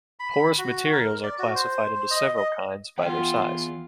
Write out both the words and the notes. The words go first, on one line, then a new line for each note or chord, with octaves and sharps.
Porous materials are classified into several kinds by their size.
B5
B5
F#4
A#4
D5
F#4
C5
C5
D#5
D#5
E2 B3 F4 F#5 G5